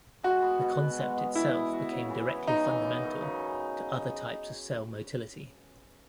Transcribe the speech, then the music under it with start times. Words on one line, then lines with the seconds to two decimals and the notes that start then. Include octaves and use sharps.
The concept itself became directly fundamental to other types of cell motility.
0.23 G#3 F#4
0.42 B3
0.61 B2
0.79 B2
0.98 G#3
1.17 B3
1.35 E3 E4
1.54 B3
1.72 F#4
1.91 C#3
2.10 E3
2.28 B3
2.47 C#3 D#4
2.66 E3
2.84 B3
3.03 F#2
3.21 C#3